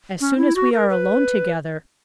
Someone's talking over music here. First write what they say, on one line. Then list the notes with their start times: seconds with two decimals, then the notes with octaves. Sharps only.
As soon as we are alone together.
0.21 C#4
0.38 E4
0.56 F#4
0.72 A#4
0.90 B4